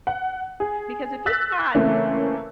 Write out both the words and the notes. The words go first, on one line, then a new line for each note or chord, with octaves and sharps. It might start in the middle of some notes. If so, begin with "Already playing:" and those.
because if you've got
F#5
G#4
E6 F#6 A6 B6
C#3 E3 A3 A#3 C4 C#4